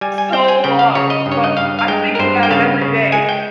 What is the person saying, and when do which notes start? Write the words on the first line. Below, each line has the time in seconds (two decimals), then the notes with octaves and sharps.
so long, but I think about it every day.
0.01 G3 G#5
0.18 G#5
0.32 C4 G5
0.48 G#5
0.64 C#3 G5
0.79 F5
0.95 C#3 C#5
1.10 D#5
1.26 G2
1.32 C#5
1.44 D#5
1.57 G2 F5
1.79 F5
1.88 G#3 G5
2.15 A#4
2.19 G2 C5
2.43 G5
2.50 C#3 F5
2.81 C#3
3.12 G#3 G#5
3.29 G5